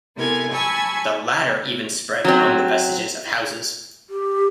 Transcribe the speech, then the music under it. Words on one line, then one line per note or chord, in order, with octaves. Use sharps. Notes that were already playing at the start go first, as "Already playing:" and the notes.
The latter even spread among the vestiges of houses.
C3 B3 E4 A4 A#4 G#5
G#5 A5 B5 C#6 E6 G#6
F#3 C4
G4